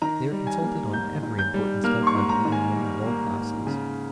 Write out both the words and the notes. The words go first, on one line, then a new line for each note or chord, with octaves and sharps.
They are consulted on every important step by believing ones of all classes.
D#3 A#5
G3
G#5
A#3
G#2 G6
D#3
G6
G3
A#3 F6
C6
C#6
G#2
A#5
D#3
G#5
G3
A#3
G#2
C#3